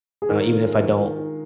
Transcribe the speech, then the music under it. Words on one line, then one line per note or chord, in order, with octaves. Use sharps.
uh, even if I don't,
G#4
D#3 A#4
F4
G#3
D#3
D#3
D#3